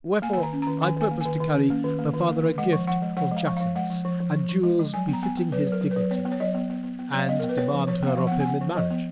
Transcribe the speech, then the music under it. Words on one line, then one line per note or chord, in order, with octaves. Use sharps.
Wherefore I purpose to carry her father a gift of jacinths and jewels befitting his dignity, and demand her of him in marriage.
A#3 G#5
G#5
D#3
A#5
C#4
D#3 A#5
D#3 G#5
D#3 G#5
A#3
D#3 G#5
D#3
C#4
A#3
D#3
A#3
D#3
A#3
D#3
G#3 F#5
F3
F3 F#5
G#3
F3 F#5
G#3
F5
F3
F3 F5
G#3 F#5
F3
F3
F3
F3
F3
G#3
G#3
F#3 G#5
B3
A#5
B3 G#5
B3
F#3 B4
F#3
A#4
F#3
B4
F#3
B3 C#5
B3
C#5
F#3 D#5
B3
B3
B3
B3
F#3
F5
B3 D#5
A#4
B3
B4
B3 C#5
F3
F3 C#5
B3 F5
F3
B3 F#5
G#5
B3 F#5
F3
F3 D#5
B3